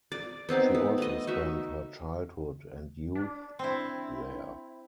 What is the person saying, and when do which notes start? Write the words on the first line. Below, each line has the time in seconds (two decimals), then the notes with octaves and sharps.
She also spent her childhood and youth there.
0.12 D5
0.49 B3 C4 D#4 D6
0.75 B3
0.98 A3 D#5
1.27 D#4 F#4 E5
3.15 D4
3.59 C4 E4